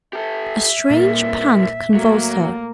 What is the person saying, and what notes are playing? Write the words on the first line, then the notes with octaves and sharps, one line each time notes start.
A strange pang convulsed her.
G4 A4 E5
G2 A#2 A#3
F#3 A3 A#3